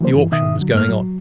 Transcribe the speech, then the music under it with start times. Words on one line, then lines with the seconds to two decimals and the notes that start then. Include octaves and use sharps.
The auction was going on.
0.01 E3 F#3 A#3 C5
0.15 G2 E3
0.32 B2 D#3 E5 D#6
0.59 D3 F#3
0.73 G2 A3 A#3 F6
0.89 F#3